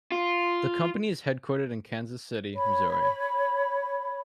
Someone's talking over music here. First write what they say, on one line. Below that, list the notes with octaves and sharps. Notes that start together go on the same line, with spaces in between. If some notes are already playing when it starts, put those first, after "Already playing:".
The company is headquartered in Kansas City, Missouri.
F4
C#5 B5